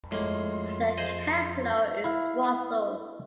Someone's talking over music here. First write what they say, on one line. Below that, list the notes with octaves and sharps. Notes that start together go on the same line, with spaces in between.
The capital is Roseau.
F2 A2 G#3 A#3 C6
G#4 C5 D#5
E4 F5